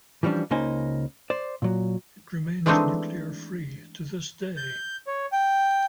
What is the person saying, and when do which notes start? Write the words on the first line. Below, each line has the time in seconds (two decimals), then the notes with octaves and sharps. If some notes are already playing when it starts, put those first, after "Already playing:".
It remains nuclear free to this day.
0.23 E3 F3 G3 C#4 D4
0.51 C#2 C#3 A#3 D#4 C5 G#5
1.30 C5 D5
1.62 A#2 F#3
2.66 E3 G#3 A3 C4 D4 D#4
4.57 G6
5.07 C#5
5.32 G5